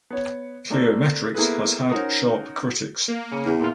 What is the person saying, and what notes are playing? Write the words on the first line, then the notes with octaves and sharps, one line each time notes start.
Cliometrics has had sharp critics.
B3 C#5
A3 A#3 C4 D4 A4
A#3 B3 E4 G#4 A4 B4
C#4 D#4 F#4 A#4 C5 D#5
A#3
C#3 C#4
E2
A#2 E3 F4